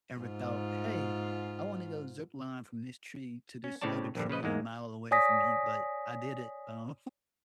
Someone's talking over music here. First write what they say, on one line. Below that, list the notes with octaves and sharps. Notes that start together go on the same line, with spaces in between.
ever, thought, "Hey, I wanna go zipline from this tree to this other tree a mile away from me," but I did it, um
G#2 F4
C#4
A2 C#3 C4 C#5 D5 A5
A#1 G2 D3
C#3 F3 B4 D#5
E2 G#2 G#3 A#3
C#5 D5 G#5 D#6 A#6 B6